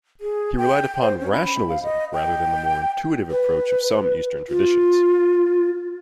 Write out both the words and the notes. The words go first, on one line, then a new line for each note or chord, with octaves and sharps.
He relied upon rationalism rather than the more intuitive approach of some Eastern traditions.
G#4
G5
C5
C#4
B5
F5
D#5
G5
B4
F4